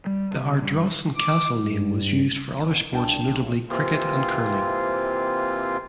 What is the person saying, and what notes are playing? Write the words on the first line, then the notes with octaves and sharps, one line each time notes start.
The Ardrossan Castle name was used for other sports notably cricket and curling.
G3
C3
G2
D6
G2
G1
C2 D4 G5 A5
B1
C3 E3 A#3 C4 F4